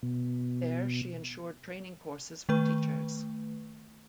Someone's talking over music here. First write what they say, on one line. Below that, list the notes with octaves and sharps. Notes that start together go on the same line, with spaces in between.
There she ensured training courses for teachers.
B2
D#3 A3 B4